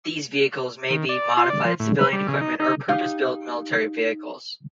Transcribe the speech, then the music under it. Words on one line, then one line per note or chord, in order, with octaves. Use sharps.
These vehicles may be modified civilian equipment or purpose-built military vehicles.
D#3
D5
F4
D5
F3
A2
B4
G3
C#3
D#4
D#4
D#4 G4 F5